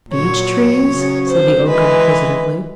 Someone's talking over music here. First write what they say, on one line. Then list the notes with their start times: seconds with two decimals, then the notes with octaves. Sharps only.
"Beech Trees?" said the Oak inquisitively.
0.12 A#2 F#3 C#5
0.90 C#3 F#3
1.29 C5
1.68 E3 G#3 B4